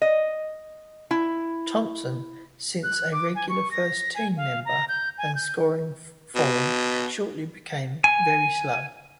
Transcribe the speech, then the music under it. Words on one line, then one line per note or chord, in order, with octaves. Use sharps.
Thompson since a regular first team member and scoring form shortly became very slow.
D#5
E4
F#6
D6
G#5
C#6
A#6
G#5
F5
A#5
G6
G#5
G6
B2
G#5